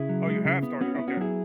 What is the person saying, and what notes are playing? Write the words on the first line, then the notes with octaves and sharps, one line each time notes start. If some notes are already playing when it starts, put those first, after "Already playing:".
Oh, you have started? Okay.
Already playing: C#3 E4 G#4
F#3
G#3
C#3
B3
B3 C#4 F#4
B3 E4
C#4 F#4
F#3 E4 G#4